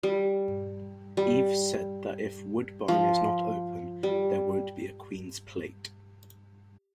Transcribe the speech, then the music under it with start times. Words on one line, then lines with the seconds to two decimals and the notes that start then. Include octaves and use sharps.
Eaves said that if Woodbine is not open, there won't be a Queen's Plate.
0.03 G3
1.17 G3
2.88 F3
4.03 G3